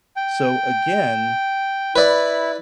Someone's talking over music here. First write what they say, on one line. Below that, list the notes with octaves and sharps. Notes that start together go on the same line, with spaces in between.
So, again,
G5
E4 B4 D5